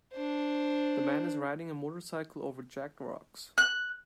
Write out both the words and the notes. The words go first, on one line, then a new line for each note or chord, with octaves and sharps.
The man is riding a motorcycle over jagged rocks.
D4 C5
F#6